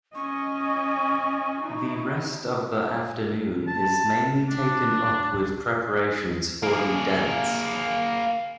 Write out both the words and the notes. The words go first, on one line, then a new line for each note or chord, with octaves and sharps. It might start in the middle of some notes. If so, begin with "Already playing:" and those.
The rest of the afternoon is mainly taken up with preparations for the dance.
C#4 D#5 C#6
D#4 E4
A5
D4
A#3 G#4